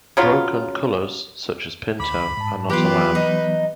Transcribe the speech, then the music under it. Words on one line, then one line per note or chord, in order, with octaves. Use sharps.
"Broken" colours such as pinto are not allowed.
C#3 F#3 F4
D2 B5 D6
G#2 A5
E3 F#3 B3 F4 G4 B4
D#4